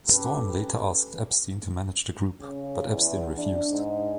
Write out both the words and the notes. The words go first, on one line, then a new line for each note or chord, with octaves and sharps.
Storm later asked Epstein to manage the group, but Epstein refused.
C#4 G4 A4 B4
C#3
E2
D4
G#2